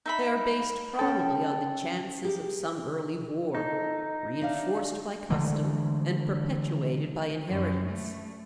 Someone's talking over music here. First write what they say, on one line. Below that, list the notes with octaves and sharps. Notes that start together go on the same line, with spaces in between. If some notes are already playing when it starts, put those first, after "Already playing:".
They are based probably on the chances of some early war, reinforced by custom and perpetuated by inheritance.
D#4 E5 B5
C#4 A4 G5
G4 G#4 A#4
D#4 A4
D4 E5 F5
D3 E3 G#3 A3
F#2
A3